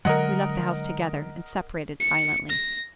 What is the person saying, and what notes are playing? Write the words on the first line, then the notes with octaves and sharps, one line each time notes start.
We left the house together, and separated silently.
D3 F#3 G#3 A#4 D#5 F#5
C#7
A#6